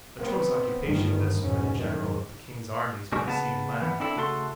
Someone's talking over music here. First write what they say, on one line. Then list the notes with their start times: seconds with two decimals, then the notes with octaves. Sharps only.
A choice occupation this for the General of the King's Armies by Sea and Land.
0.17 B3 C4
0.82 G1 G2 D#3 A3 B3
1.40 F1 G#2 B2 D#3 C#4
1.76 C2 F#2 D#3
3.12 B1 G3 G#3 F#4
3.26 C#3 B3 A5
3.82 E3 B3
4.00 C4 D4 E4 A4
4.16 C#3 A3 F#4 A4 C6